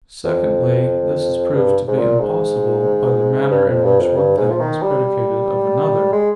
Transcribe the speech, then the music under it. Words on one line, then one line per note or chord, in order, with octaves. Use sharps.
Secondly, this is proved to be impossible by the manner in which one thing is predicated of another.
F2
G2
G#2
A#2
G#2
G2
F2
G2
F2
G2
G#2
F3
D#3
G3
G#3